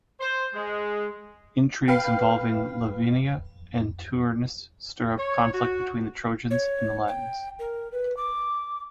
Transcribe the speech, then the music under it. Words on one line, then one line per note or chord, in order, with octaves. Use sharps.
Intrigues involving Lavinia and Turnus stir up conflict between the Trojans and the Latins.
C5
G#3
B4 F5 G5
C#5
F#4
C#5
G5
A#4
B4
D6